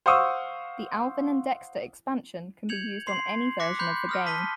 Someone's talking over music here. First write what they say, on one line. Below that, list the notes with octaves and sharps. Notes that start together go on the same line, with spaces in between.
The Alvin and Dexter Expansion can be used on any version of the game.
C5 F5 F#5 C#6 D#6 E6
G6 G#6 C#7 F7 F#7
C6 C7 F#7
D6 F#6 A#6 B6 C#7
B5 C6 F#6 G6
D#6 F6 A#6
A5 B6 D#7 G7